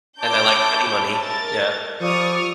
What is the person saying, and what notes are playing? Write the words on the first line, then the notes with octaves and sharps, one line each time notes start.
And I like spending money. Yeah.
C#4 E4 A5 D6 G6
A#4 A6
F3 G3 A4 D5 C#6 D#6 F6